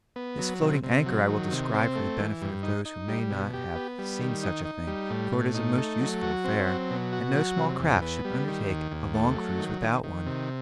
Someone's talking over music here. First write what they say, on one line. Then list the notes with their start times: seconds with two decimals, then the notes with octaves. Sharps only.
This floating-anchor I will describe for the benefit of those who may not have seen such a thing, for it is a most useful affair, and no small craft should undertake a long cruise without one.
0.16 B3
0.39 F#3
0.61 C3
0.83 C3
1.06 F#3
1.29 D#3
1.52 C3
1.74 C4
1.96 A3
2.19 E3
2.42 G2
2.63 D#4
2.85 D#4
3.08 G3
3.30 B2
3.54 G4
3.75 B3
3.98 G3
4.21 D#3
4.43 D#4
4.65 D#4
4.87 G3
5.10 A2
5.32 A2
5.55 D#4
5.78 A3
6.01 F#3
6.23 F#4
6.44 C4
6.67 F#3
6.90 B2
7.13 F#4
7.35 F#3
7.57 C3
7.79 E2
8.02 B3
8.25 G3
8.47 D#3
8.70 D#2
8.91 D#2
9.14 A3
9.36 F#3
9.59 D#3
9.82 D#3
10.03 D#3
10.26 C3